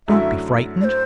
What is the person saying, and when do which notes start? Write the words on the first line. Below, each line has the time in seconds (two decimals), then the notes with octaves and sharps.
Don't be frightened.'
0.08 F#2 D3 F#3 A3 E4 E5
0.81 D5
0.84 C5